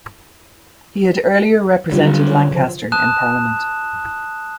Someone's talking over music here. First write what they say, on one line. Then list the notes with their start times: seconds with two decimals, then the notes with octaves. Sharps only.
He had earlier represented Lancaster in Parliament.
1.92 D3 F#3 G3 C#4 F4
2.27 C#5
2.51 C#3 F3 C5
2.92 A5 D#6 F#6 E7